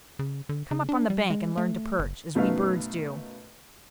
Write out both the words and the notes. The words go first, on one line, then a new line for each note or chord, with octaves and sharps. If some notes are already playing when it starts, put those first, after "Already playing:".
Come up on the bank and learn to perch, as we birds do.
C#3
D3
C#3
D4
G3
G#3
A3
F#1
F#2 B2 A3 D#4 B4 F5